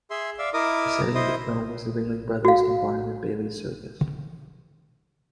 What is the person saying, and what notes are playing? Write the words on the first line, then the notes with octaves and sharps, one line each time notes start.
The setting of the film was the Ringling Brothers and Barnum and Bailey Circus.
G#4 E5 C6
D5 E5 F5
E4 A#4 D#5 D6 D#6
E4 C5 D#5 D#6
F#4 F5